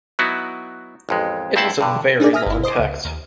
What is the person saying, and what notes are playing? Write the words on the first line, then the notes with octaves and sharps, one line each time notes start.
It was a very long text.
F#3 B3 D#4 E4 F#4
A1 F2 G#3
G2 C4 E4 C5 F#5 A5
G2 D3
D4 D#4 G#4 A#4 D5
E5 G#5 D#6 F6 A#6 B6
G1 E4
C5 D#5 C6 D6
C#2
D#2